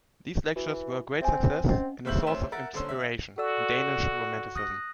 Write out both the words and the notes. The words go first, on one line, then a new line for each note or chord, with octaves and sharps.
These lectures were a great success and a source of inspiration in Danish romanticism.
E3 F#4
C4 E5 G#5
C4 C#4 D#5 F#5
D#2 C#3 C5 E5 G6 F#7
D2 C4 C#4 E5 C6 E7
A#4 E5 F#5 A6
D#1 D3 C#4 C5 C6 E6
E5
F#4 A4 D5 E6
D#6 F#6 A#6